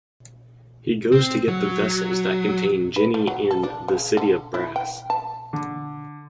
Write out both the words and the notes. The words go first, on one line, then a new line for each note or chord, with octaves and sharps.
He goes to get the vessels that contain Jinni in "The City of Brass".
C4
F#3
B4
A3
F#3
A4
D4
C#3
D3
E4
G5
A5
D3